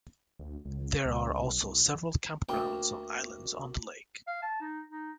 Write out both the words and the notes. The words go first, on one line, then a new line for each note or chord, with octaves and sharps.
There are also several campgrounds on islands on the lake.
D2
C#2
C#2
B1
C2
D2 A#3 G5
F5
A5
D#4
D#4